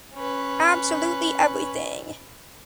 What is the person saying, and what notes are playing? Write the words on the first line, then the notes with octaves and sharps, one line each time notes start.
Absolutely everything.
C#4 B4